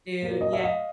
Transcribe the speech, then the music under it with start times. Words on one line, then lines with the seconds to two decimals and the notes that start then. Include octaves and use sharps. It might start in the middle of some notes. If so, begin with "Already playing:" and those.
Dude, yeah.
0.22 A#2 F#3 A#3
0.41 D#5
0.53 E5
0.64 D#5 F5